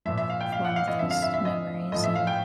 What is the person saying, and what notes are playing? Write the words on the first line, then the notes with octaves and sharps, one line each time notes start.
form those memories, and
A#2 F3 E5
E5
F5
G5
F5
F#5
F5
D#5
F2 D3 F3 E5
F5
E5
E5
D#5
A2 F3 D#5
E5
F5
G5